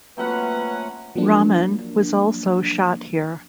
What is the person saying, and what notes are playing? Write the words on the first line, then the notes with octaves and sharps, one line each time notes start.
Rahman was also shot here.
F#3 A3 A#3 C4 C#4 F4 B4 F#5
F3 F#3 A#3 D4